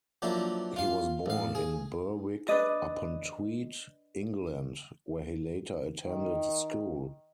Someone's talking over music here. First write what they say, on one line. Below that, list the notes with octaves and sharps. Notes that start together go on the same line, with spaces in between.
He was born in Berwick-upon-Tweed, England, where he later attended school.
F3 F#3 A#3 D4 E4
F4 F5
A1 F5
G#4
D4 B4 D5 D#5
D#3